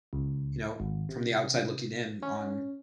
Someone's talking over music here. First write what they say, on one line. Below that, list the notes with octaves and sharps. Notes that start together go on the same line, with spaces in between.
you know, from the outside looking in on
C#2
G#1
C3
C#4